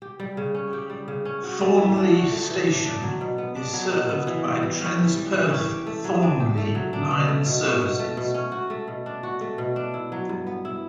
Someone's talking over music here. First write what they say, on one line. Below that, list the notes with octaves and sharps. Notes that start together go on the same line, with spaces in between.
Thornlie station is served by Transperth Thornlie line services.
G4
G3
C#3
C#4
G4
G3
C#3
C#4
F#4
A3
E3
D4
F#4
A3
E3
D4
D4
F#3
B2
B3
D4
F#3
B2
B3
E3
G3
E3
C#4
E3
G3
E3
C#4
G4
A3
F#3
D4
G4
A3
F#3
D4
B2
A3
B2
C#4
B2
A3
B2
C#4
F#4
A3
B2
D4
F#4
A3
B2
D4
E4
F#3
G2
B3
E4